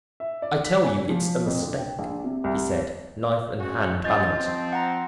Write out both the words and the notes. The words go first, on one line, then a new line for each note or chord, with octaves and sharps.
"I tell you, it's a mistake," he said, knife and hand balanced.
E5
D5
B6
G#5
F3
F2
D3
G5
A#1
C3
C2
G#3 C#4 F#4
G2 C#4 F4 D#5 G6 A6
F3 C4
F#5 A#5